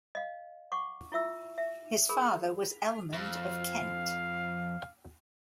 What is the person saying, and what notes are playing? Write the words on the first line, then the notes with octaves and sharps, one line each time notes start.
His father was Ealhmund of Kent.
D#5 F5
F#5 C#6 D6
E4 F4 E5 E6
E5
G#4 A#4 B5
F2 F5